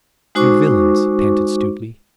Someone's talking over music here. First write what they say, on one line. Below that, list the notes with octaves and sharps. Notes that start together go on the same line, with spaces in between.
"You villains," panted Stuteley.
G#3 D#4 F#4 C5 C#6 D6